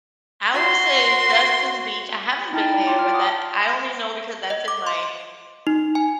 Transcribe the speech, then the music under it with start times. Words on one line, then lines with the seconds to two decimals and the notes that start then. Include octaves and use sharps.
I would say Destin Beach, I haven't been there, but that I only know because that's in my
0.54 F#4 C6
2.53 D#4 E4 G5 A5 F6 A6
2.74 D5 A5 A#5
2.87 F4 C#5 G5 A5 C6 D6
2.99 F6 D7
3.13 F#5 D6 D#6 F6
4.50 D#5
4.68 D6
4.87 C6
5.67 D#4
5.95 G#5